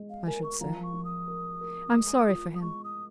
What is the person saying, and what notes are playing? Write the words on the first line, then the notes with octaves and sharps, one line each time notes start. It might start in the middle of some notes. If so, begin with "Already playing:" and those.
I should say. I am sorry for him.
Already playing: G#3
F5
A#4 G#5
C#6
F3 A#5
C#6
F3
D#6
A#4
A#4
G#3
F4
D#6
G#3 C#6
D#6